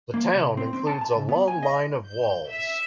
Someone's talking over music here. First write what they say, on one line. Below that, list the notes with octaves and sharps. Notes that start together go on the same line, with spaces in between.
The town includes a long line of walls.
A#3
C3
C4
C4
A5
A5
C#2
B3
G#5
D#5
G6
E5